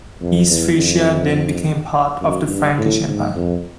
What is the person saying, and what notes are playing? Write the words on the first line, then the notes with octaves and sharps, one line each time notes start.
East Frisia then became part of the Frankish Empire.
F2
E2
F2
F#2
G2
A2
G#2
F2